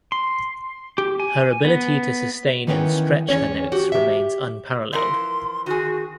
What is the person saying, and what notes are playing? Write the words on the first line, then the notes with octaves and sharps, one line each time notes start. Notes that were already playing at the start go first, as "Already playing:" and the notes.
Her ability to sustain and stretch her notes remains unparalleled.
C6
G4
G#5
B3
D#3 E3 B3 C#4 E5 G5
E2 B2 C#4 C#5
F#4 G4
G4 E5
E3 F3 A#4 C6
D#3 F#4 G#4